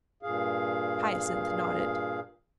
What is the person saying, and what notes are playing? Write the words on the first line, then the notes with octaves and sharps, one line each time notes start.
Hyacinth nodded.
G2 A#2 G#4 F5